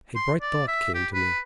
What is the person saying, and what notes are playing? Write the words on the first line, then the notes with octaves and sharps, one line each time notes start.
A bright thought came to me.
C6
D5
E5
G4
B4